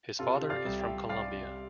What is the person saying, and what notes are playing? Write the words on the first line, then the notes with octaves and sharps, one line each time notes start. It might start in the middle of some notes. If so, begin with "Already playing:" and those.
His father is from Colombia.
C3 F4 A4
C3
D5 F5
C2
E5 G5
C2
C2 D5 F5
C2